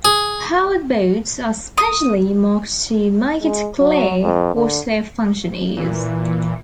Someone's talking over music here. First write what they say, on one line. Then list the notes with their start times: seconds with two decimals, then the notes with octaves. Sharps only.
Pilot boats are specially marked to make it clear what their function is.
0.05 G#4
1.78 D#6
3.42 G#3
3.80 F#3
4.23 F2
4.55 D3
5.77 A#2 E3